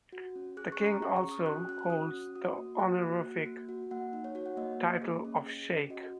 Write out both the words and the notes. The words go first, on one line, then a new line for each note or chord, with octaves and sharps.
The King also holds the honorific title of sheikh.
F#4
C#4
G#4 F#6
C#6
C#4
A#5
G#4 C#6
C#6
C#4
D#6
F#4 F#6
C#4 F#6
F#6
F#4 D#6
C#4
F#4 D#6
A#3
F#4 F#6
A#3
F#4
A#3
F#4
A#3 F#5
D#4
C#5
F#4 C#5
F#5
A#3 D#5
A#3
G#4
C#4
G#4
C#4
F#4 D#5